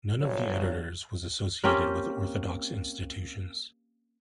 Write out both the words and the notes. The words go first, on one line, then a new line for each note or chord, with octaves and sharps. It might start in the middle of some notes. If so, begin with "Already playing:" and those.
None of the editors was associated with Orthodox institutions.
G1 G2 F3 F#3 C#5
A#3 C4 C#4 G4